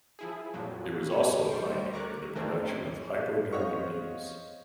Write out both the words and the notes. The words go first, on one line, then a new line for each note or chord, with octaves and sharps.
It was also a pioneer in the production of hypodermic needles.
F3 E4 G#4
F2 A#2 F3 F#3
G4 C#5
G3 C5 C#6 D7
A#4 A#5 C#6 D6 F#6
D#3 E3 A3 A#3 C4 D4
C5 C#5 D#5 F5 F#5 C#6